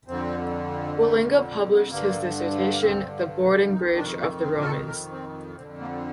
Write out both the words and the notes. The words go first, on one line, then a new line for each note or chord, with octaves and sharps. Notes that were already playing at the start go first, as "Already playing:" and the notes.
Wallinga published his dissertation, "The Boarding-Bridge of the Romans".
F2 D3 C4
A3
G2 D3 A#3
A#3
C4
F2 D#3 D#4
D4
A#3
C4
A#4
A4
A#4
C4
F2 D3 C4
A#3